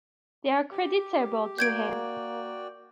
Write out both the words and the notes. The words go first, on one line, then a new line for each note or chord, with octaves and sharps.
They are creditable to him.
G4
A#3 F#4 D5 G5 G6 G#6 D7